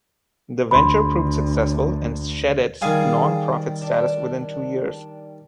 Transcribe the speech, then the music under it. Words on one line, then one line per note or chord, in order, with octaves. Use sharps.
The venture proved successful and shed its non-profit status within two years.
D2 B5 C6
D#3 G3 G#4 F5 G#5
D4